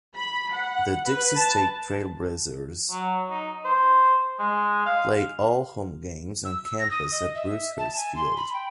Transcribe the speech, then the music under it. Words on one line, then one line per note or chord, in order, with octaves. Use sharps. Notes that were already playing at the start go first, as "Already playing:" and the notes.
The Dixie State Trailblazers play all home games on campus at Bruce Hurst Field.
B5
F#5
B4
A5
F#3
D#4
C5
G#3
F5
E6
E6
A#6
D#6
D#5
E5
A5
G#5
C6
B5
G5